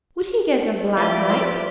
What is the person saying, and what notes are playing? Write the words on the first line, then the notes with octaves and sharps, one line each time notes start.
Would he get a black eye?
F3 E4 G4 B4 D5
F4 E5